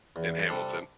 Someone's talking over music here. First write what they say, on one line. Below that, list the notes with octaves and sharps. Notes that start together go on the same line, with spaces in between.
in Hamilton.
E2
C3 G3 D4 A4